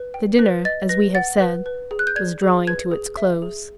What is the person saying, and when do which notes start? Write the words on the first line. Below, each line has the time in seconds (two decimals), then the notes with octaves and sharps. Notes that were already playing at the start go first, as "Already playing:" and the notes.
The dinner, as we have said, was drawing to its close.
Already playing: B4
0.14 G5
0.39 B4
0.65 D#5 A6
0.89 B4 A#6
1.15 F#5 A6
1.40 B4
1.66 B4
1.91 G#4
1.99 F#6
2.07 G6
2.16 D5 G#6
2.42 G#4
2.67 B4 G#6
2.92 G#4
3.17 E5
3.42 G#4